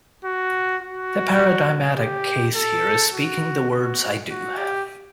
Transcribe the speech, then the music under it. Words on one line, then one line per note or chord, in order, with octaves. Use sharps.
The paradigmatic case here is speaking the words I do.
F#4
F#4
G4
A4
F#4
F#4
F#4
G4